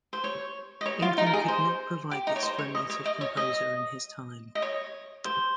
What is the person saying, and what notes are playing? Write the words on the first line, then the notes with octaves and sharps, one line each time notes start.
England could not provide this for a native composer in his time.
C5
C#5
D#5
C#5
F4
D#4
A#4
G#4
C5
G4
D#4
C#5
C5
C#5
D#5
C#5
D#5
C#5
D#5
D#5
C#5
C5